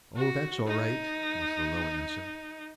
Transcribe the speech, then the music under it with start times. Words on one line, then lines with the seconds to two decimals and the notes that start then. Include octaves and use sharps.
"Oh, that's all right," was the low answer.
0.16 F#4
0.67 D#4